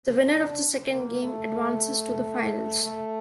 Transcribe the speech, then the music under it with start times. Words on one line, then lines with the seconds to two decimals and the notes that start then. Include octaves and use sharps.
The winner of the second game advances to the finals.
0.24 D4
0.90 A#3
1.22 A3
2.84 A3